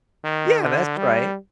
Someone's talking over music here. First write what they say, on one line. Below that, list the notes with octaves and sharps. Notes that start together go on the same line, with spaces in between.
Yeah, that's right.
D#3
D3
G3